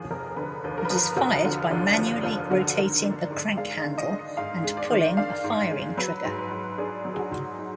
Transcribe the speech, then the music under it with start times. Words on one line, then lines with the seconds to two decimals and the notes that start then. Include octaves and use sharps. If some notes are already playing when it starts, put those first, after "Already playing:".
It is fired by manually rotating a crank handle and pulling a firing trigger.
Already playing: D#2 F3 G#4
0.10 F1 A#4
0.36 D3 B4
0.64 D#2
0.77 A#4
0.85 B4
0.90 F3 A#4
1.17 F1 F#4
1.44 D3 F4
1.70 D#2 D4
1.97 F3
2.23 F1 F4
2.50 D3 F#4
2.77 D#3 A#4
3.04 D4
3.31 G#2 D5
3.57 G#3 F5
3.84 D#3
3.98 D#5
4.11 D4
4.37 G#2 F5
4.64 G#3
4.77 D5
4.90 D#3
5.17 D4 F5
5.44 G#2
5.70 G#3
5.97 F#3 B4
6.25 G#2
6.38 B4
6.51 G#2
6.78 D4 G#4
7.05 F#3
7.14 G#4
7.19 F#4
7.32 G#2
7.58 D#4